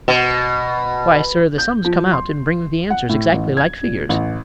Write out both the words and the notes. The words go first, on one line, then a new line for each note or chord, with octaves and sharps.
Why, sir, the sums come out, and bring the answers exactly like figures.
B2
G6
F3
C6
F#5
A2
A1
G#6
A#2
A1